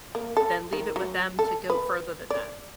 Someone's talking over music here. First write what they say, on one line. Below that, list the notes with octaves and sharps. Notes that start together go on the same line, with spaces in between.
then leave it with them to go further than that.
A#3
A4
D#3
F#3
A4
B4
D5